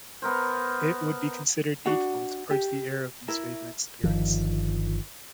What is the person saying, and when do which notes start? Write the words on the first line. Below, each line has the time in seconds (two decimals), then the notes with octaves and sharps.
It would be considered needful to purge the air of these vagrant spirits.
0.22 B3 A#4 C5
1.86 D4 F#4 F#5
2.51 G4
3.28 E4 A#4
4.04 G1 D#3 F3